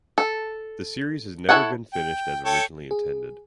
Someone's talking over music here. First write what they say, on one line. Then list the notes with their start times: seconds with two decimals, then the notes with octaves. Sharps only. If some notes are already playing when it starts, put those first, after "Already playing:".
The series has never been finished as originally intended.
0.18 A4
1.49 E4 G#4 A4 C#5 F#5
1.93 G5
2.45 A4 C#5 G5
2.91 G#4